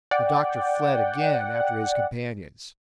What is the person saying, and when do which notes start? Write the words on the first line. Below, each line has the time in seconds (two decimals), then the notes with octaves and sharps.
The doctor fled again after his companions.
0.11 D5 F#5 G5